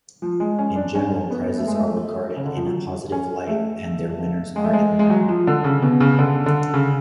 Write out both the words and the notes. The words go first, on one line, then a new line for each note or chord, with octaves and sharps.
In general, prizes are regarded in a positive light, and their winners are admired.
F3
G#3
C#4
D4
C#4
B3
A3
G#3
A3
C#3
D3
F3
F#3
C#4
A3
G#3
A3
G#3
G#3
F#3
F3
D3
C#3
B2
C#3
D3
D3
C#3